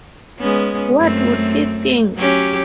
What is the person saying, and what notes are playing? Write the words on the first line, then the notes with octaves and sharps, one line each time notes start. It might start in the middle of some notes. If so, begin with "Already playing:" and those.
What would he think?
G#3 B3 C#4
F#2 A3 C4
F#3 C#4 G4